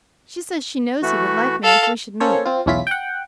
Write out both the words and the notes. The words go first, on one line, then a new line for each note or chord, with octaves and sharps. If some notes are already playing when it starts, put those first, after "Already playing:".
She says she knows he would like me if we should meet.
E3 A3 F#4
A4 F5 E6
A#3 C#4 A4 C5 C#5
C4 F4
B1 E2 C#4 E4 F4 B6
F#5 G5